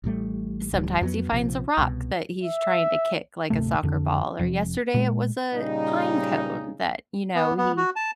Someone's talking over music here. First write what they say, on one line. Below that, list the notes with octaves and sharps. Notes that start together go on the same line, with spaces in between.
sometimes he finds a rock that he's trying to kick like a soccer ball, or yesterday, it was a pine cone that, you know, he
A1 A2 G3 A3
D1 D2 G3
F2 F#3 G#3 B3
A#1 C3 F3
C2 B2
E5
D1 G1 C3 A3
F2 D3
F1 F2
A#2 G#3
A#2 C#3 G3 D#4
B3
B3
F#4
A5